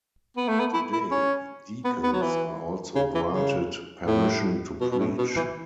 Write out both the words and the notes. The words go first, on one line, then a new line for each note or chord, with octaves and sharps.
Today, deacons are also granted permission to preach.
B3
A3
B3
E4
E4
C#4
B3
B3
F#3
E3
C#3
E3
C#3
A2
B2
B2
A2
B2
E3